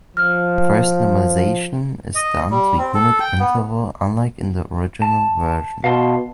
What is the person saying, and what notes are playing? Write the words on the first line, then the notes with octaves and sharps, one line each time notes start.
First normalization is done to unit interval unlike in the original version.
F3 F6
D#5
G3
C4
A4
G5
B3
A5
B2 F5 A5 C6